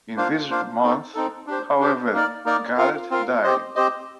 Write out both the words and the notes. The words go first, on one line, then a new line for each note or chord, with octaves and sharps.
In this month, however, Garrett died.
A#3 D4 F4 C5 F5
A#3 D4 F4 C5 F5
C4 D#4 A4
C4 D#4 A4
D4 G4 C5
D4 G4 C5
A#3 D#4 A#4 D5
A#3 D#4 A#4 D5
C4 F4 A#4 F5
C4 F4 A#4 F5
C4 G4 C5 D#5
C4 G4 C5 D#5